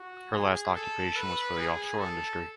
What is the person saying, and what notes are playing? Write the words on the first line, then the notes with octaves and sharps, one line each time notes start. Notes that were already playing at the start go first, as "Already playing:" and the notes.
Her last occupation was for the offshore industry.
Already playing: F#4
G#4
A4
B4
G#4
A4